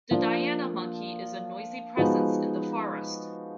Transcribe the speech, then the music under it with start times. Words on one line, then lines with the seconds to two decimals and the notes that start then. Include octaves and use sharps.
The Diana monkey is a noisy presence in the forest.
0.11 F3 A#3 D4 F4
1.97 F3 G#3 B3 D#4 F#4